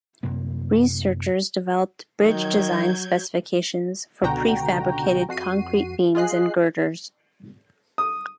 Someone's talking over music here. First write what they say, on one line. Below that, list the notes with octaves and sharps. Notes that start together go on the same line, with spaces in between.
Researchers developed bridge design specifications for prefabricated concrete beams and girders.
F#2 C3 A#3
D#3 F#3 G6 G#6
C#2 B2 D3 F#4 G5 A#5
F2 F#4 C7 D#7
F4 G#4 D#5 F#6 C7
D#6